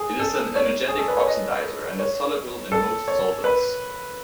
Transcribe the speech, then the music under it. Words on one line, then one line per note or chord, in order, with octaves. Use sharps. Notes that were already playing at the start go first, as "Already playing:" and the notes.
It is an energetic oxidizer, and is soluble in most solvents.
Already playing: G#4
A4
C#5
G#4
A4
B4
C#5
D#5
C#5
A4
C#5
B4